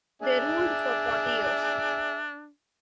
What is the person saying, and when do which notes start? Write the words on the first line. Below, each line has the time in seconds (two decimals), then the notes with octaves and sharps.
They ruled for forty years.
0.22 D4 G#4 D5 E5